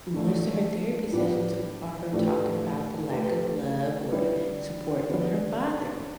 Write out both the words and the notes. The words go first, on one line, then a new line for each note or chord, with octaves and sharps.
most of her therapy sessions are her talking about the lack of love, or support, from her father.
D3 A3 E4
A2 G3 B3 D4
A2 A3 D4 G4 B4
A3 G4 B4
D3 G3 E4 B4
D3 B3 G4 B4